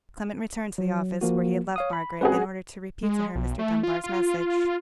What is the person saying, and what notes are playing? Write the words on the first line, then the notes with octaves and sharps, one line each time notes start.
Clement returned to the office, where he had left Margaret, in order to repeat to her Mr. Dunbar's message.
F#3
F3 A#3 F#4
C#5 F5 D#6
B5
G#3 C4 C#4 F#4 G#4 B4
G#3
B1
A3
F4
F4